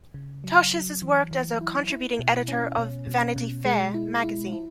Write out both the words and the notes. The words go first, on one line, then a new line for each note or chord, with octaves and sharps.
Tosches has worked as a contributing editor of "Vanity Fair" magazine.
C#3
F#3
F#3
E3
E3
E4
E4
B2
C#4
B2
B2
B2
G#3
E4
E4
E4